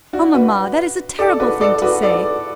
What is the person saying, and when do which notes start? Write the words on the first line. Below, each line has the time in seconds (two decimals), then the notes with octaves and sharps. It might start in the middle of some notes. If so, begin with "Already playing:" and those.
Oh, mamma, that is a terrible thing to say.
0.13 D4 F#4
0.34 F#4 B4
1.19 A4 D5
1.40 F#4 B4
1.61 A4 D5
1.82 F#4 B4
2.03 A4 D5